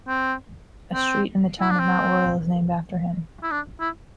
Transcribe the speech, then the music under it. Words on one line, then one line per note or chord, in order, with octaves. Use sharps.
A street in the town of Mount Royal is named after him.
C4
C4
E4
D4
C4
E4
D4
E4